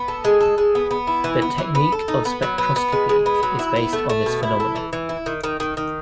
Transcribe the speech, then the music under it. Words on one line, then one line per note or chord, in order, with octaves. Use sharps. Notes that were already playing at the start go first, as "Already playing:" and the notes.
The technique of spectroscopy is based on this phenomenon.
Already playing: B3
A4
G#3
A4
G#3
B3
B3
E4
E3
B3
E3
B3
A4
D#4
B3
F#3
B3
B3
G#3
G#3
B3
F#3
E4
B3
A3
A3
B2
E4
A4
E3
E3
E4
D#3
D#3
D#3
D#3